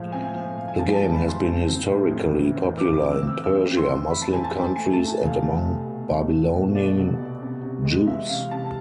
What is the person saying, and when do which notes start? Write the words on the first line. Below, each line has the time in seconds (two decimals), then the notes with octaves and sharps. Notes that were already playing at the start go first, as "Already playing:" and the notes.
The game has been historically popular in Persia, Muslim countries, and among Babylonian Jews.
Already playing: A2 F3 G#3 F5
0.12 C4 G#5
0.35 F3
0.57 A2 F5
0.68 G#5
0.79 F3 A5
0.96 A5
1.01 G#3
1.12 B5
1.24 F3 C6
1.45 C4
1.68 C4
1.89 A2
2.12 F2
2.34 E3
2.55 C4
2.77 E3 D6
2.94 D6
3.00 C4
3.11 E6
3.22 C4
3.27 E6
3.44 C4 E6
3.66 F2
3.77 C6
3.88 E3
4.10 F2 B5
4.22 A5
4.32 C4 G#5
4.44 A5
4.54 C4
4.76 A3 G#5
4.93 A5
4.99 A3
5.10 G#5
5.20 C2
5.26 F5
5.43 A3
5.65 C2
5.87 B2
6.09 A3
6.31 A3
6.53 B2
6.75 B2 D5
6.97 C2
7.19 B2
7.41 C3
7.63 C3
7.85 G#3
8.07 E3 E5
8.29 C3 F5
8.51 C3 A5